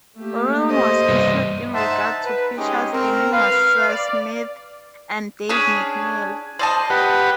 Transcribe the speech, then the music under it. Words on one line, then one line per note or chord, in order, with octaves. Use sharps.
The ruling was issued in regard to pitchers Andy Messersmith and Dave McNally.
A3 A#3 G4
C5 D#5
C2 G2
D#4 C5 E5 F#5 A5
B4
G#3 C#4 D#4 G4 G#4
C4 A#4
B4 F5
D5
C#4 D4 G#4
C5 D5 D#5 A5
G4 B4 F#5